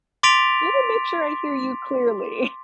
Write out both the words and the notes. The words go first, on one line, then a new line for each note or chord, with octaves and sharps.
Let me make sure I hear you clearly.
C6 D6 A6 B6 D7 F7